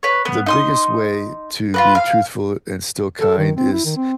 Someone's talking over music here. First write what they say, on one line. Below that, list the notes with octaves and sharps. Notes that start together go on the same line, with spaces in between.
the biggest way to be truthful and still kind is
B4 C#5
B3
D#4 C6 D#6
F4 F#4 B4
F5
A4
D#3
C4
E4
D#3
C4